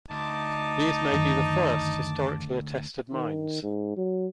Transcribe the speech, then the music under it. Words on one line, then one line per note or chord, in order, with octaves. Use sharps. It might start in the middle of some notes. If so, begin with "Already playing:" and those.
These may be the first historically attested mines.
D2 D#4 A5 D6
F#2 D#3
D#3
G#2
F#3